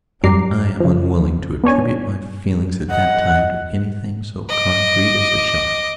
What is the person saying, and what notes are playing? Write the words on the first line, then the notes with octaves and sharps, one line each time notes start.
But I am unwilling to attribute my feelings at that time to anything so concrete as a shock.
F#2 G3 A#5 D6 C7
C#3 F3
B3 D4 C#5 G#5
D#5 F#5
D#5 D6